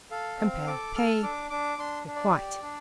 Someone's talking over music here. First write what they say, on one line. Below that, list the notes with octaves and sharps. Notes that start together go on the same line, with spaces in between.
Compare PAY; REQUITE.
A4 F5
C4
A4 D6
A4 F6
D4 D6
D4 D6
D4 C6
D4
D5
G4
D4